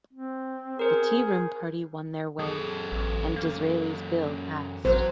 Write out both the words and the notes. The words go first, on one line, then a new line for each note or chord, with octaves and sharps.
The Tea-Room party won their way, and Disraeli's Bill passed.
C4
G#4 A#4 C5
F#2 G#4 A4
A1
A#3
A1 F#3 C5